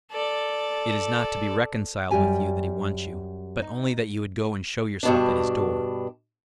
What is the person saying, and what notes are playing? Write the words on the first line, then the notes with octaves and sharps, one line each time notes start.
It is not to be reconciled with you that he wants you, but only that you would go and show yourself at his door.
A4 D5
F#2 G3 G4 G#5
D#4
G2 B2 D4